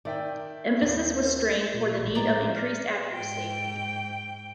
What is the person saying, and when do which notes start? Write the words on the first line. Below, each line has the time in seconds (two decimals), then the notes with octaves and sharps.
Emphasis was strained for the need of increased accuracy.
0.05 D#3 D5 E5 G5
0.81 D#1 A#3 B4
1.74 A#2
1.99 A1
2.15 A2 F3 G#3 D5 A#5 D6
2.56 F6
3.13 G#2 G5